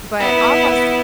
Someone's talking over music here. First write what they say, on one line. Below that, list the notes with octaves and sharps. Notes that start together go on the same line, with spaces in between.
But almost
B3 E4